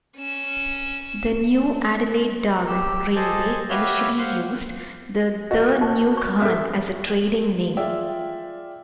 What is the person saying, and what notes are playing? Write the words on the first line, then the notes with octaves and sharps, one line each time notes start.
The new Adelaide-Darwin railway initially used the "The New Ghan" as a trading name.
C#4 E7
G4 E6
G#4 A4 C5 D#5 A5
F#4 G4 B4 C#5 E5 F5
C5 F5 F#5 C6
F#4 D#5
D#4 F#4
C#6
C#4 A4 E5
F4 G#4 D5 E5 G5 E6